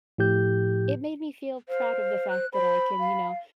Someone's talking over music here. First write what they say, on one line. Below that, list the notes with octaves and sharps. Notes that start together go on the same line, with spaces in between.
it made me feel proud of the fact that I can, you know,
A2 F3 G4 G6
C5 F5
F#6
C5 B5
F5